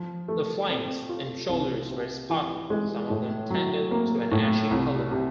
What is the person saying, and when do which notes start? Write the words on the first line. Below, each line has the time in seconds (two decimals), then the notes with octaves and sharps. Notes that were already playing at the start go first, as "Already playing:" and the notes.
The flanks and shoulders were spotted, some of them tended to an ashy colour.
Already playing: F3
0.28 A3
0.68 C4
1.09 F4
1.49 C2
1.89 C3
2.30 E3
2.70 G#3
3.10 A2
3.50 F#3
3.91 A#3
4.32 A2
4.71 C2
5.11 C3